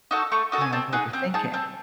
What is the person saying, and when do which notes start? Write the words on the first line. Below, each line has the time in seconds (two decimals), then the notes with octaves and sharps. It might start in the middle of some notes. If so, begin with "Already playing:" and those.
you know, of overthinking
0.11 D#4 F#4 A4
0.32 A3 C#6
0.52 D#4 F#4 A4
0.61 G#5
0.73 C4 A5
0.93 D#4 G#4 F#5
1.13 C4
1.34 D#4 G#4 A5
1.53 C4 A5